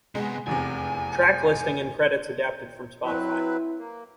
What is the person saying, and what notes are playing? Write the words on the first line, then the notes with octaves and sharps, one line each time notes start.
Track listing and credits adapted from Spotify.
C3 G#3 B3
F1 E2 C3 G#5
F#3 C4 E4 B4
A#3